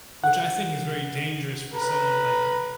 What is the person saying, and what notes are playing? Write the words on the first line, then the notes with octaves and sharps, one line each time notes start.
which I think is very dangerous for someone like me
F#5
B4 A#5